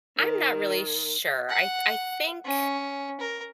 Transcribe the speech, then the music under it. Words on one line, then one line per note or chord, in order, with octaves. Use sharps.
I'm not really sure. I th I think,
D#3
F#5
C#4
A#4